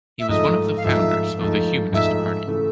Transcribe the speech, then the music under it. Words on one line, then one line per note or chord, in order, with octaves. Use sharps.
He was one of the founders of the Humanist Party.
E5
G#2 F3 A3 D#5
F5
G#2 F3 A3 E5
G#2 F3 A3
G#2 F3 A3 E5
C#3 E3 A3